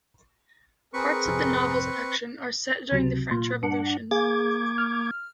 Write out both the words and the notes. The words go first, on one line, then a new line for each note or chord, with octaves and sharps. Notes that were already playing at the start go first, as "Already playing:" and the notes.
Parts of the novel's action are set during the French Revolution.
C4 G#4 A#4 B4 C#6
G#1 F2 C3
C#2 C3 F#3
A#2 F4
G2 D4 F#5
A#3 G#4 D6 G#6
F6